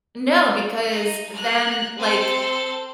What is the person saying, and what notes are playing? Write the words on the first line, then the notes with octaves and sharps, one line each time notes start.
No, because then, like
D#4
A#4 F#6
C4 A4